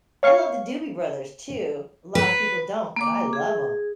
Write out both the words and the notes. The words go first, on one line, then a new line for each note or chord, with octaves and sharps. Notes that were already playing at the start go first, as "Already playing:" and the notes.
I love the Doobie Brothers too. A lotta people don't, but I love 'em.
C#5 F5 C#6
B4
A#3 D6
G#4